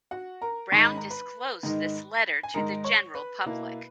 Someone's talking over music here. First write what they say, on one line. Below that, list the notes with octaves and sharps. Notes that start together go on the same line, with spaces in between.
Browne disclosed this letter to the general public.
F#4 F#5
A#4 A#5
G#2 D#3 G#3 D#4 C#6
B5
A#5
B4 B5
G#2 D#3 G#3 D#4
G#5
G#2 D#3 G#3 D#4 A#4 A#5
C#5 C#6
B4 B5
B2 A#3 E4